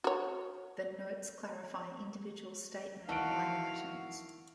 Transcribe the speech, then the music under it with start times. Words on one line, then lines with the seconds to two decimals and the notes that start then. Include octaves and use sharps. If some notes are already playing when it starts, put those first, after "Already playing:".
The notes clarify individual statement line-items.
0.04 F#4 C#5
3.09 D#3 E3 F#4 F5 A5 D7